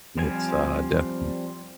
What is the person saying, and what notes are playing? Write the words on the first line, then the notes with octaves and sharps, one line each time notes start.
it's, uh, definite
F3 G3 C4 G#5